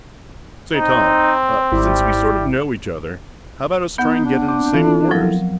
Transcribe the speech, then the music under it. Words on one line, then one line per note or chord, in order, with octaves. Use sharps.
"Say, Tom--ah, since we sort of know each other, how about us trying to get in the same quarters?"
C4 D#4
G#1 G3 E4
B3 D#4 F#5 G6
D4
C4 D6
E3 E4 F4 A4
F3 F#3 A#4